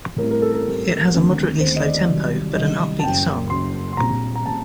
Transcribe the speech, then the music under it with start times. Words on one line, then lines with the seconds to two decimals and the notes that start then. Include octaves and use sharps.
It has a moderately slow tempo but an up-beat song.
0.18 A2 G3 C4 A#4
0.31 A#4
0.42 A4
0.54 A#4
0.67 A2 G3 C4
1.14 D#2 D3 A3 C4
1.60 D#2 D3 A3 C4 C5
1.76 D#5
1.85 D5
2.09 C2 C3 D#3 F#3
2.55 C2 C3 D#3 F#3 D#5
2.99 A5
3.02 F#1 F#2 F#3 G5
3.50 F#1 F#2 F#3 C6
3.93 C6
3.97 A#1 A#2 G3 C4 A#5
4.35 A#5
4.46 A#2 G3 C4 A5